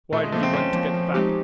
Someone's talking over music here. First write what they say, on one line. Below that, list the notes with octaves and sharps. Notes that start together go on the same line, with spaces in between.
Why did you want to get fat?
A#2 A3
G#3
F3 A3 A#3
C4
A#2 C#4
F3 A#3
F3
G#3 C4 D#4 G4